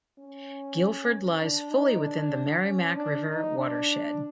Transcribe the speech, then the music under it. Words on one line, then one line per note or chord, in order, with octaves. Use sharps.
Gilford lies fully within the Merrimack River watershed.
C#4
D4
D#4
D4
C#4
D4
D#4
D4